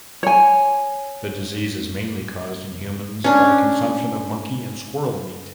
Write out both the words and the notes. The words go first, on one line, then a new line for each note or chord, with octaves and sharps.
The disease is mainly caused in humans by consumption of monkey and squirrel meat.
C#5 G#5
C#4 D4